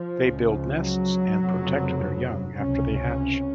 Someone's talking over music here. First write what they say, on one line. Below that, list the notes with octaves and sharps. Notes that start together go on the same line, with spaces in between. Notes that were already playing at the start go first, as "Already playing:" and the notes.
They build nests and protect their young after they hatch.
Already playing: F3
C#2 C#3
F#3
F1 F2 C#3
C#2 C3 C#4